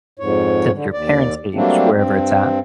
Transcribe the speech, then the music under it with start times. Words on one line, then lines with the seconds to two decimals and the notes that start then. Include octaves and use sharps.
to th your parents' age, wherever it's at,
0.19 F2 G#2 C#5
0.72 D3
0.93 D#2 D5
1.54 F#3 G3 A3 A#3 C4 D4
1.94 G2 C4